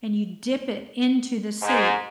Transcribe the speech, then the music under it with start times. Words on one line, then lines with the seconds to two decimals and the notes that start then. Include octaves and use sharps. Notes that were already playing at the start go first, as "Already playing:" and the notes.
and you dip it into the soup
1.62 G#2